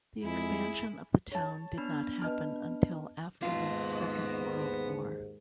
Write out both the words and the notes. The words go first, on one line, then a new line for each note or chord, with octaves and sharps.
The expansion of the town did not happen until after the Second World War.
F2 G#3 E4 G#4
C#5 A5
B3 D4 B5
B4 D#5 A5 F6
D#2 G#2 B3 F4 A5